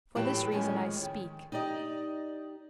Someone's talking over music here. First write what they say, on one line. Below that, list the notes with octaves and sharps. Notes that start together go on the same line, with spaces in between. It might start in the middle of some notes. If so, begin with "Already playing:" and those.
For this reason I speak.
E2 A2 F#3 G4 B4 A5
F2 A2 D#3 G#3 C#4 G#5
D#3
D#4 G4 D5 D#5